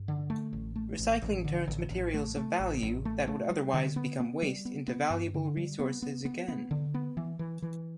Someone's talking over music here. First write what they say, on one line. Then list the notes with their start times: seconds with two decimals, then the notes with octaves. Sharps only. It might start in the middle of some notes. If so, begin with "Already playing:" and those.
Recycling turns materials of value that would otherwise become waste into valuable resources again.
Already playing: G2
0.08 D3
0.30 A3
0.53 A1
0.76 A3
0.99 A1
1.22 A1
1.44 D3
1.68 A1
1.90 A1
2.14 A3
2.37 A3
2.60 A1
2.82 A1
3.05 A3
3.28 A3
3.50 G3
3.74 D3
3.96 B3
4.20 B3
4.43 G3
4.65 B3
4.88 B3
5.10 G2
5.34 D3
5.57 G3
5.79 B3
6.02 B3
6.25 B3
6.48 B3
6.71 D3
6.94 B3
7.17 E3
7.39 E3
7.62 E3